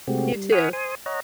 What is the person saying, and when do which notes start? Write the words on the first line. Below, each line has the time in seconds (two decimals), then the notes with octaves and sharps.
You too.
0.07 C3 G#3 A3 C4 F#4 G4
0.34 G3
0.52 F#5 G#5 B5 C#6 D#6 F6
0.73 C5 G#5 C6 D#6
1.06 C#5 D#5 F#5 A#5